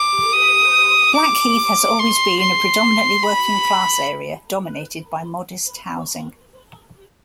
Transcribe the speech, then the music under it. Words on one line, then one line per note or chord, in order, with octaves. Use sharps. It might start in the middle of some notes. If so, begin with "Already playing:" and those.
Blackheath has always been a predominantly working class area dominated by modest housing.
Already playing: D6
D#6
D6
C6
C6
B5